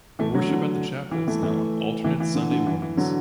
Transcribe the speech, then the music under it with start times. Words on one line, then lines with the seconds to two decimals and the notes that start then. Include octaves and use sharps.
Worship at the chapel is now on alternate Sunday mornings.
0.19 E3 A3
0.34 D3 F#3
0.50 D3
1.11 E3
1.28 E3 A3
1.43 E3 A3
2.04 E3 A3
2.20 E3
2.35 D3
2.51 D3
2.67 E3
2.82 E3
2.97 D3 F#3